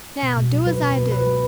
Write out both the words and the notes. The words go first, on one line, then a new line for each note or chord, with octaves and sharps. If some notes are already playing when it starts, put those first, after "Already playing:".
Now, do as I do.
B2
B2
F#3
F#3 B4
B2
B2
F#3 B4
F#3